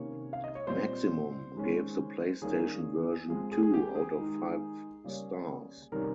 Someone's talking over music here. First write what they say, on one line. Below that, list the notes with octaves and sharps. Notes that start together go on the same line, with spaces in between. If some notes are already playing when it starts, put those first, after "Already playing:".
"Maximum" gave the PlayStation version two out of five stars.
Already playing: C3 D#3 A#3 C#4 C#5
F5
D#5
C#5
A#2 G3 C4 C5
D#3 G#3 C#4
D#3 G3 A#3 C#4 G#4
F3 G#3 C4 G#4
G#4
G#4
G4
G#4
D#3 G#3 D#4
C#3 G3 A#3 C#4
C3 D#3 G3 C#4 A#4